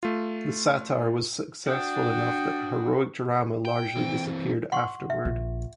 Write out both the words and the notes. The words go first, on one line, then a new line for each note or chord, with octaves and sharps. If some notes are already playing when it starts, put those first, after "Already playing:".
The satire was successful enough that heroic drama largely disappeared afterward.
A3 F4
D4 F#4 G5 D#6
G5
E3 C4
F#5 C6 C#6
E5
A#1